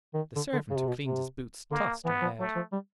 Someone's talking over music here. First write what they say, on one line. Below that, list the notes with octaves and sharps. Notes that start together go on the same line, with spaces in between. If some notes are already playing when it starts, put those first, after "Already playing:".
The servant who cleaned his boots tossed her head.
D#3
D3
D3
C#3
C3
B2
C3
D3 A#3
E3 B3
F3
F#3 A3
F3
G3